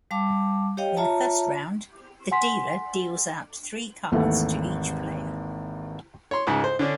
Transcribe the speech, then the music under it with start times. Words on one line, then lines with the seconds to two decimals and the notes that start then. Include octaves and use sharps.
In the first round, the dealer deals out three cards to each player.
0.11 G3 F5 A5 D6
0.77 G4 C#5 D#5 F5 G5
0.97 F4 C#5 E5 A5 A#5
2.31 F#5 G#5 C6 B6
4.12 G#1 D#2 E3 A3 F#5
6.31 C#5 C6
6.47 C#2 G#2 C#3
6.64 C5
6.79 D3 C#4 D4